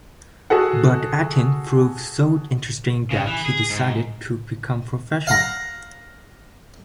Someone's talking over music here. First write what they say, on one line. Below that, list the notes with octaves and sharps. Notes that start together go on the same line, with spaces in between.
But acting proved so interesting that he decided to become professional.
F#4 G#4 A4 F#5
C#3
E3
G#4
G#2
F5 F#5 A#5